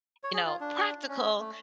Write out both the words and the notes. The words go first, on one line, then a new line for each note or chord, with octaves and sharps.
you know, practical,
C#5
G#4
F4
D4
C#4
A3